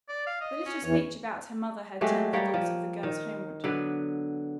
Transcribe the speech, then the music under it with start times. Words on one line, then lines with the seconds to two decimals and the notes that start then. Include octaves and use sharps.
The little speech about her mother had turned the thoughts of the girls homeward.
0.09 D5
0.27 F5
0.41 D#5
0.66 C#4
0.84 E2 E3 C#5
2.01 F#3 G#3 A3 G4
2.33 G3 A#3 C#5 G5
2.54 F3
3.03 D#3
3.64 D3 F#3 B3